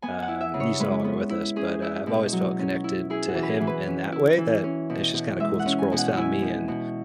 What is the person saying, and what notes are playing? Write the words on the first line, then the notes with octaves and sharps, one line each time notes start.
um, he's no longer with us, but, uh, I've always felt connected to him in that way that it's just kinda cool the squirrels found me, and
B3 G#5
F#5
E4
E5
C#3
C#5
G#3 B4
B3
E4
C#4 G#4
E4
B2
F#3
C#4
E4
E4 G#4
F#4
E3
B4
G#4
E3
B4
C#4
E4
E3
C#4
B2
B2
G#3 E5
F#5
C#4
G#5
B2
F#5
E4 G#5
B2
B2